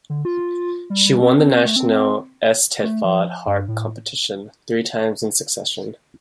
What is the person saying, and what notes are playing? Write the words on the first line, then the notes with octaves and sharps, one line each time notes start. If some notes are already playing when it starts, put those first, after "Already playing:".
She won the National Eisteddfod harp competition three times in succession.
D3
F4
G3
G3
C4
C4
C4
A3
C4
A3
F3
G2
A2